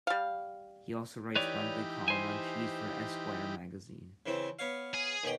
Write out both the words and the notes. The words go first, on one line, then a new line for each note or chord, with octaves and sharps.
He also writes a monthly column on cheese for Esquire Magazine.
G3 F5
E3 D#4 G4 B4 C#5 D5
C5 G#5
C#3 E3 C4
B3 C#5 F5
G#4
D#2 B2 G5